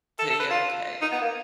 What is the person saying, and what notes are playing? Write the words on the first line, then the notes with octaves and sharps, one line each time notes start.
Tuh yeah, okay.
A4
A4
B4
F4
D#4
B3
A#3